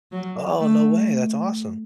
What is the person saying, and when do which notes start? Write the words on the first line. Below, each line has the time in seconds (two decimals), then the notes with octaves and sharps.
Oh, no way. That's awesome.
0.12 F#3
0.60 A3